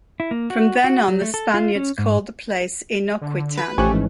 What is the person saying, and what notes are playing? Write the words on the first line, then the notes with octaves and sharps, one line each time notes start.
From then on, the Spaniards called the place "Inoquitan".
E4
A#3
F#4
F#4
F#3
A3
A4
F4
C#4
G#2
D3
B4
A1 F3 A3 C#4 G4 G#5 C#6 F#6
G#2 E3 G#3